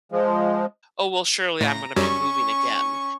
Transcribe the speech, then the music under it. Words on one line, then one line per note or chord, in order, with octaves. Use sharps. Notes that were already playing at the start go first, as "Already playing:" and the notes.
"Oh, well surely I'm gonna be moving again,"
F3 G#3
A2 A#5
F#2 F#3 G3 C#4 C#6